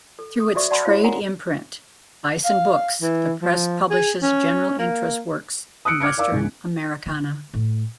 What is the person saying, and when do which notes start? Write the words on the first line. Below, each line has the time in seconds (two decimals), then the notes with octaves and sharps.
Through its trade imprint, Bison Books, the press publishes general-interest works in Western Americana.
0.19 A4
0.40 D#6
0.55 F#4 C5 D5 E5 C#6 D6
0.70 D5 F#5 A5 B5 C6
0.85 E4 F#4 C#5 F5
1.03 A#4 F#5 G#5 A#5
2.45 F5
3.02 E3
3.42 F3
3.90 G#4
4.23 C#4
4.79 A#3
5.85 D#6 E6 F#6 C#7 D7
6.00 D6 F6 G#6 C#7 D7
6.17 A#4 D5 F5 D6 E6
6.32 C#2 G#2 C#3
7.06 D3
7.54 A2